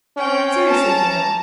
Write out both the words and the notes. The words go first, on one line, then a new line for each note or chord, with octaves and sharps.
Seriously, Hale!
C4 C#4 G5
A5 A#5